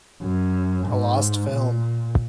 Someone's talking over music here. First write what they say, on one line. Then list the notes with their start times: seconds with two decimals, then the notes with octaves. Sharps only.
A lost film.
0.22 F#2
0.86 G#2
1.50 A#2